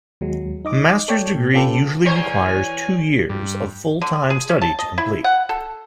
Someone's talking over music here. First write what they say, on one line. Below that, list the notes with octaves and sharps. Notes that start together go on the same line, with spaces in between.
A Master's degree usually requires two years of full-time study to complete.
D#2 F#3 G#3
D#4 D#5 D6
A4 C#5 D5 G5
A#2
C#4 F4 G4 A4 B4
E2 C5 C#5 G#5
G2
D3
G#4
C#4
A5
D#5
E4
F#5
A4